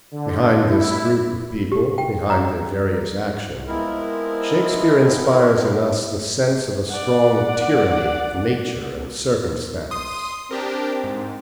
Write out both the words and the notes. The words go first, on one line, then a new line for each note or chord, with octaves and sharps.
Behind this group of people, behind their various action, Shakespeare inspires in us the sense of a strong tyranny of nature and circumstance.
D3
E4
G4
G5
A#5
F3 G#3 B3 C4 E4 A#4
D5 F#5
C6 D#6
C4 D4 G4 A#4
G#2